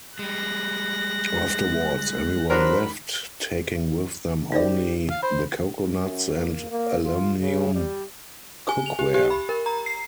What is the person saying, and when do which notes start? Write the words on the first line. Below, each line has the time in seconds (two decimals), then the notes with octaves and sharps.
Afterwards, everyone left, taking with them only the coconuts and aluminium cookware.
0.19 G3 G#3 F#6 A#6
2.50 F#3 D4 A#4 C5 B5
4.52 D#4 G4 C5 D5
5.10 F5
5.22 C5 B5
6.00 F#2
6.32 A#3
6.70 A#3
7.03 F4
7.39 C#3
7.74 G3
8.69 G#5
8.86 F7
8.99 G4
9.14 G4
9.30 B5
9.49 A#4
9.66 A#5
9.86 C7